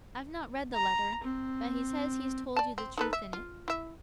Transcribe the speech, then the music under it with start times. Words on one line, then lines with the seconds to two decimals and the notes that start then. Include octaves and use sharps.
I've not read the letter, but he says he's told you the truth in it.
0.75 A#5
1.24 C4
2.56 D5 A5
2.78 C4
2.98 D#4 A4 B4
3.13 E5
3.33 F4
3.68 E4 E5